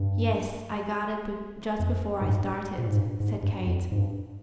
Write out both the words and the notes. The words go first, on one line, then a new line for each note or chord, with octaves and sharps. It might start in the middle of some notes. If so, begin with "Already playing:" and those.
"Yes, I got it just before I started," said Kate.
Already playing: G2
F2
G#2
G2
A#2
G#2
G2
G#2
G2
F2
G#2
G2